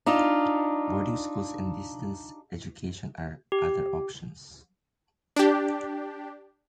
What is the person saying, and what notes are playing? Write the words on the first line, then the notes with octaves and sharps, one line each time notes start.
Boarding schools and distance education are other options.
D4 D#4 F4
G4
D4 G4